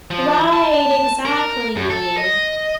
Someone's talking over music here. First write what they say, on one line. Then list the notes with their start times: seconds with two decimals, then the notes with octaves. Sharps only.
Right, exactly.
0.11 F3
0.53 A5
1.25 A#4
1.76 F#2
1.90 A4
2.18 D#5